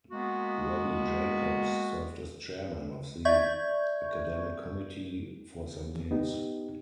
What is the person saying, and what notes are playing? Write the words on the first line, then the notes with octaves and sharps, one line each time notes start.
Rabbi Jacobs served as Chairman of the Academic Committee for some years.
G#3 A#3 B3 F#4
D5 E5 C#6 G6 G#6
B3 D#4 G4